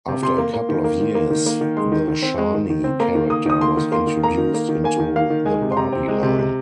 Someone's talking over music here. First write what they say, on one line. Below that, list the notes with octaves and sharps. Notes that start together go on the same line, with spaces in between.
After a couple of years the Shani character was introduced into the Barbie line.
C3
C3 C6
A#3
A#3
D#3
A#3
D#3
A#3
D#3
A#3
D#3
G#3 C6
D#3
D#3
C4
G#3
D#3
D#3
C4
A#3 A#5
D#3
A#3 D#6
D#3 D#6
A#3 C6
D#3
A#3 C6
D#3
A#3 A#5
D#3
A#3
D#3
A#3 G#5
D#3
A#3 F5
D#3
G#3 G#5
C3
C6
C3 A#5
C4
G#3
C3
C3